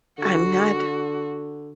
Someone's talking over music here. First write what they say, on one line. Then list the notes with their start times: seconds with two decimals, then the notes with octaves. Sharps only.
I I'm not
0.18 D3 F#4